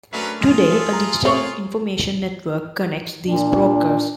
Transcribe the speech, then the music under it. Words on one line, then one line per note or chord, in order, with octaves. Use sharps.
Today, a digital information network connects these brokers.
F#3 A3 C#4 D4 A#4 B4 B6
G#3 F4 G#4
A3 B3 A4
A#5
A3 A#4 C#5 F5 F#5
A#2 D4